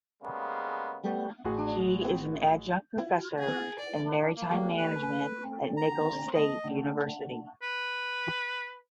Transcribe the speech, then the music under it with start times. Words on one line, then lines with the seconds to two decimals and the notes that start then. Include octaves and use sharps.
He is an adjunct professor in maritime management at Nicholls State University.
0.23 C#3 G3 G#3 A#3 B3
1.45 A1 F#4 G#4
3.39 G#4
3.79 D5
4.36 A#3
4.77 B4
5.77 A#5
6.34 D#5
7.62 B4